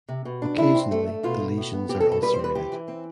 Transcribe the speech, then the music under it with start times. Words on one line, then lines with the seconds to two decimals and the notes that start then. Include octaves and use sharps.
Occasionally the lesions are ulcerated.
0.08 C3
0.25 B2
0.42 D4
0.58 C3 E4
0.75 C4
0.91 A3
1.07 A3
1.23 B2 F4
1.40 B2
1.57 A2
1.73 B3
1.89 C4 G4
2.00 A4
2.06 B2
2.12 A4
2.22 G3 B4
2.33 C5
2.39 C4 B4
2.55 E3 G4
2.72 E3
2.88 C4